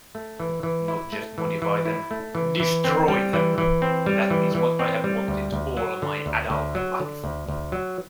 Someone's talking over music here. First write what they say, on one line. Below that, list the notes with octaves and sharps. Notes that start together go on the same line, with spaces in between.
Not just modify them-destroy them...That is what I have wanted all my adult life.
A3
E3
E3
E4
A3
E3
E3
E4
A3
E3
E3
C4
G3
E3
E3
C4
G3
E3
E3
C4
G3
D2
D2
F#3
D3
D2
D2
F#3
D3
D2
D2
F#3